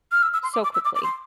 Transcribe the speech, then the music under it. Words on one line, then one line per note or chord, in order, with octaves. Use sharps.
so quickly.
F6
E6
E6
C6
D6
D6
E6
D6
D6
C6